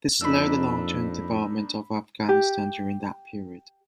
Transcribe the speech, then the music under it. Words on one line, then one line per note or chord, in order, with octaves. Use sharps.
This slowed the long-term development of Afghanistan during that period.
F2 A#3 D4 D#4 B5 E6
G4